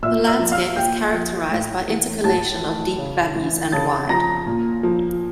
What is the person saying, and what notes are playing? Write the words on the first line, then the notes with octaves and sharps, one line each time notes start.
The landscape is characterized by intercalation of deep valleys and wide.
A#2 E5 E6
E5 E6
F3
F5 F6
A#2 G5 G6
F3
A2
E3
A2 A5 A6
E3
C#3
E3
C#3 A5 A6
F3 A#5 A#6
A#2
F3